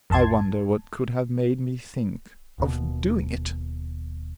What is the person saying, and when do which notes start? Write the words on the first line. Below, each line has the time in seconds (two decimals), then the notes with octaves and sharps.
I wonder what could have made me think of doing it!
0.10 A#1 F2 A5 C6 G#6
2.58 D#1 D#2 B2